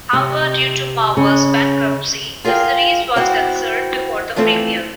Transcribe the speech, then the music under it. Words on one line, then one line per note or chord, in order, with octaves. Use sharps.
However, due to Marvel's bankruptcy the series was canceled before the premiere.
C3
C#3
F4 G#4 A#4 F5 G5
C4 E4 F#4 C5
E3 F3 A3 C4